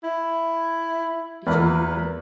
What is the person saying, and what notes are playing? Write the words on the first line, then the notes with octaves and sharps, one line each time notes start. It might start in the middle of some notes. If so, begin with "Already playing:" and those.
"Did you hear me?"
E4
E2 A#3 B4